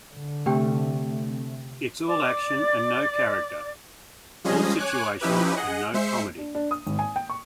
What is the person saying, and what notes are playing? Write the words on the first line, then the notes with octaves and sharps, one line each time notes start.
It's all action and no character, all situation and no comedy.
D3
C3 A3 C4 D4 G4 G5
D5 D6
F3 G3 G#3 C#4 G#4 D#5
C#5 G#5 D6 F#6
F3 C#4 D#4 E4 G4 B4
G#4 D#5 F#5
G#3 C5 E5 C7 C#7
D4
D4
D#6
G#1
G#5
G5
C#6